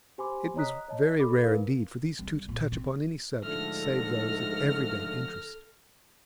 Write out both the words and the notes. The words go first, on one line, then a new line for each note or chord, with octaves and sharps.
It was very rare indeed for these two to touch upon any subject save those of everyday interest.
G4 C5 G#5 B5 C6 D6
C#5 D#5 A#5 D#6 F#6 B6
C#5 D#5 A5
A4 B5 D6
D#4 A#4 B4 F5
C2
A#2
C4
G#2 D3 F3 A3 A4 F6 A#6